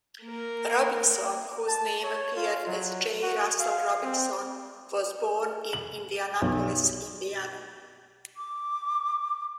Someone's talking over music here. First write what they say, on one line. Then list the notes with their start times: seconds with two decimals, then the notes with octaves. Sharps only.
Robinson, whose name appeared as "J. Russel Robinson", was born in Indianapolis, Indiana.
0.23 A#3 A#4
1.67 A5
2.03 C#5
2.36 F4
2.67 F#3
3.22 F#4
3.60 F5
4.03 C4
5.73 F#7
6.42 B1
8.37 D6